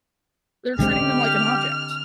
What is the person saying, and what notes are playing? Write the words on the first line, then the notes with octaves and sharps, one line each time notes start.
They're treating them like an object.
D3 G#3 C4 G4 F6